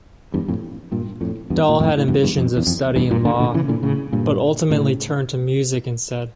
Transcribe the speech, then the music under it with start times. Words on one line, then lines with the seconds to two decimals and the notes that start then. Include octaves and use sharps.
Dall had ambitions of studying law, but ultimately turned to music instead.
0.34 E2 G2
0.48 F2 A2
0.92 G2 A#2
1.21 F2 A2
1.50 E2 G2
1.69 A#2
1.80 F2 A2
1.97 A2
2.08 E2 G2
2.23 E2 G2
2.38 F2
2.57 E2
2.67 F2
2.96 E2 G2
3.11 G2 A#2
3.25 A#2 D3
3.40 A#2 D3
3.54 C#3 E3
3.68 A#2 D3
3.83 A2 C#3
4.13 G2 A#2
4.70 A2 C#3